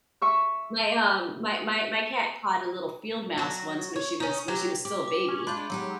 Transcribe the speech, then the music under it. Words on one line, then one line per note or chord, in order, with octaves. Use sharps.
my, um, my my my cat caught a little field mouse once when she was when she was still a baby,
E5 C#6 E6
F#3 F#4
C#5
C#4 D#4
F#3 G4
G4 D6
D6
C#4
G#3 D4 F4 B5 C6 G6
F#3 G#3 D#4 G4